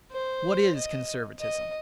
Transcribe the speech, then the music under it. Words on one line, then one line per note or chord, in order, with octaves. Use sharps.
What is conservatism?
C5
D#5
D#5